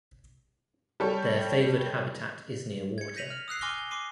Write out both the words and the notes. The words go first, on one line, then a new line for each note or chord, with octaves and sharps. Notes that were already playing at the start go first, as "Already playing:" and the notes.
Their favoured habitat is near water.
G3 A4 C#5
G#6 C#7
G6 A#6 B6 D#7 F7 F#7
F6
D#6 E6 F#6 C7
G#5 C6 D6 F6 A#6 G7
C6 D6 C7 D#7